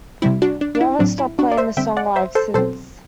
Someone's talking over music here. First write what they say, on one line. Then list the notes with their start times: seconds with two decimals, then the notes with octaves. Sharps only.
We haven't stopped playing the song live since.
0.22 C3 G3 C4 E4
0.42 D4 F#4
0.61 D4
0.75 D4
0.81 E4
0.99 A2 F#3 C4 D4
1.19 E4
1.39 D4 F#4
1.52 D5
1.57 C5 E5
1.77 D3 G3 C4 E5 G5
1.97 D5 F#5
2.16 C5 E5
2.35 A4 C5
2.54 B2 F#3 C4 A4 C5